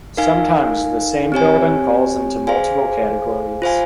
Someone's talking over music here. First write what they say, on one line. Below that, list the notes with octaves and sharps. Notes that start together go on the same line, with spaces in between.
Sometimes the same building falls into multiple categories.
D#4 A#4 F5 G#5
C4 G4 C#5 G#5
G#4 C5 F5 G#5
F4 C5 F5 G#5